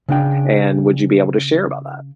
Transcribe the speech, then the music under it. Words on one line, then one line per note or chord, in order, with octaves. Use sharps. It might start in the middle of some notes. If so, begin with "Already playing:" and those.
And would you be able to share about that?
C#3 D4 G5